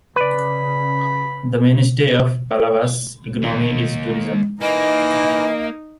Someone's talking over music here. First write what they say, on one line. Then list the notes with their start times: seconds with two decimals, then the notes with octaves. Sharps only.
The mainstay of Palavas' economy is tourism.
0.16 C#3 B4 D5 B5
3.42 D#2
4.61 E3 A#3 D#4 D#5